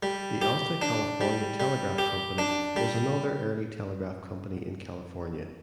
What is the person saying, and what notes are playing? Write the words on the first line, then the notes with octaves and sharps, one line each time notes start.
The Alta California Telegraph Company was another early telegraph company in California.
G3
G4
D4
G3
G3
G4
D4
G3